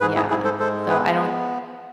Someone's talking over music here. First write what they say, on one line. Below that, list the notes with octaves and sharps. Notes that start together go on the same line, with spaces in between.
Yeah. So I don't
G#2 G#4 B4
E4 G#4
G#2 E4 G#4
A4 C5
G#3 A4 C5
B3 G#4 B4